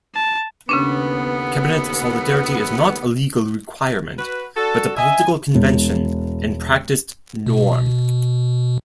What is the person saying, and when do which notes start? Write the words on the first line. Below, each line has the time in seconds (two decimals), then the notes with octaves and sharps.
Cabinet solidarity is not a legal requirement, but a political convention and practiced norm.
0.15 A5
0.69 D#2 C#3 A3 B3 C#4 D4
4.19 F#4 B4
4.57 D4 F#4 A4
4.97 D#5 E5 G#5
5.55 E1
7.46 B2